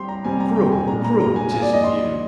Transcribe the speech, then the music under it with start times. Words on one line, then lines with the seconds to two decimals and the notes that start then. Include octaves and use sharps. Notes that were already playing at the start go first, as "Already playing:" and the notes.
"Cruel, cruel, 'tis of you!"
Already playing: G3 C4 G4 G5 C6
0.09 A#5
0.24 F2 C3 G3 C4 G#5
0.40 A#5
0.56 G5
0.72 G#5
0.87 A#2 G#3 D4 A#5
1.05 A#5
1.21 A#5
1.36 G#5
1.51 G2 F3 A#3 F4 G#4 G#5
1.62 D5
1.73 D#5
1.84 C6